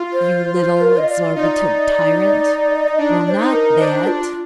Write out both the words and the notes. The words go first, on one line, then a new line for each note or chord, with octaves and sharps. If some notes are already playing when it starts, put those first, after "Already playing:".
You little exorbitant tyrant, will not that--?'
Already playing: F4
C5
C5
A#4
D#5
D5
D#4 D5 D#5
D#5
D4 D5
D5
C5
D#4
A#4
D4 C5
F4